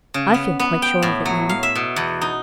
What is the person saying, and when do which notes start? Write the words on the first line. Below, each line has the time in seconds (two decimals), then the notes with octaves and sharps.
"I feel quite sure of it now."
0.14 C#3
0.34 B3
0.60 B3
0.82 G5
1.02 A2
1.26 F#3
1.49 F5
1.63 E5
1.75 B2
1.96 E2
2.21 D#4